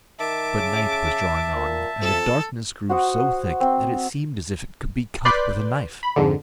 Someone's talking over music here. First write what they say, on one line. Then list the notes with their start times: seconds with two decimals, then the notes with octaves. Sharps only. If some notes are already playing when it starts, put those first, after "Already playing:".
But night was drawing on, and the darkness grew so thick that it seemed as if it could be cut with a knife.
0.19 D#3 E5 A5 D6
0.57 C#3
1.55 A#2
2.02 F2 A4
2.89 F#4 C5 F#5 D#6
3.60 C4
5.25 B4 D5 C6 F#6 G6 B6
6.03 B5
6.16 F2 G#2 D3